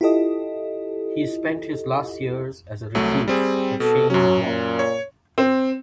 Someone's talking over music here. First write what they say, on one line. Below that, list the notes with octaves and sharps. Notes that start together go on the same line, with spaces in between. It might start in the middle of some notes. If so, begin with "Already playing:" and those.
He spent his last years as a recluse at Cheyne Walk.
E4 F4 G4 A4 D#5
C2 F#3 A3
G3 C4 G#4
B2 A4
F#2 F#3 C#4
A#2
C#5
C4